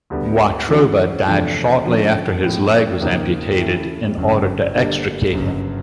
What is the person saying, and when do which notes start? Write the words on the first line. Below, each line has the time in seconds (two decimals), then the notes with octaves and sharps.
Watroba died shortly after his leg was amputated in order to extricate him.
0.10 D2 D3 G3 B3
0.69 E3 G#3 C#4 F#4 A4
1.26 E2 C3 F3 A3 D4
1.84 D3 F3 A#3 C#4
2.43 A2 F3 G#3 C4
3.00 D#2 C#3 F3 A#3 D#4
3.58 E3 A3 C#4 E4
4.17 G1 F#2 C#3
4.74 D3 G3 A#3
5.32 G1 F#2 C#3